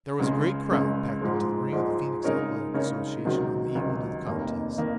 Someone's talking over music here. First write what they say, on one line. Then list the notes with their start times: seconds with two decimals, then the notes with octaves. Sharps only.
There was a great crowd packed into the ring of the Phoenix Athletic Association on the evening of the contest.
0.19 C#2 C#3 G#3
0.71 C#2 C#3 G#3
1.21 G#2 F3 G#3
1.73 G#2 F3 G#3
2.23 C#3 G#3 D#4 A#4 C#5
2.74 C#3 G#3 D#4 A#4 C#5
3.25 C#2 C3 D#3 F#3 C4
3.75 C#2 C3 D#3 F#3 C4
4.27 F1 D#2 D#3 A#3
4.78 D#3 A#3